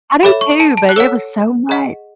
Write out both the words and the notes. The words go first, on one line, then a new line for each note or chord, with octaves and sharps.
I do too, but it was so much.
A4 C#5 E5 B5
C#6
A5
A5
F#6
A4 C#5 F#5 E6
G#4 D#5 F#5